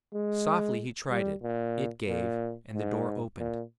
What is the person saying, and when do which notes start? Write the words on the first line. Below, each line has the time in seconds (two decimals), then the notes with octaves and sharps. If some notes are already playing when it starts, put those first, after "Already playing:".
Softly he tried it; it gave, and the door opened.
0.13 G#3
1.10 G3
1.43 A#2
2.08 A#2
2.73 G#2
3.39 A#2